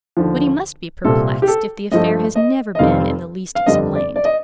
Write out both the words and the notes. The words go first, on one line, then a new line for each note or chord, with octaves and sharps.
But he must be perplexed, if the affair has never been in the least explained.
D#2 D3 F3
C2 A#2 G3 C4 A4
G4
A4
G2 F3 A3 D#5
D#5
D#5
F1 F2 D#3 G3 C4 F5
F5
G1 F2 D3 G3 D#5
D5
D5
D#5